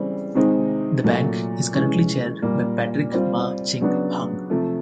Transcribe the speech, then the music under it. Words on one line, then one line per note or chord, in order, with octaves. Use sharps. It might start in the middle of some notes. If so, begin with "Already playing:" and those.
The bank is currently chaired by Patrick Ma Ching Hang.
Already playing: C#3 E3 G3 C4
C3 D#3 G#3 C4 D#4
A#2 F#3 A3
E3 G#3 C#4
A#2 G3 A#3
G3 C4 F4
C#3 F#3 B3 D4
C3 F3 A3